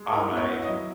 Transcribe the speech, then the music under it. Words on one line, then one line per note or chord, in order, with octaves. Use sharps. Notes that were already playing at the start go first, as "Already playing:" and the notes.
on my
Already playing: G#3
E4 A#4
B3
C#5
E4
D#5
F#3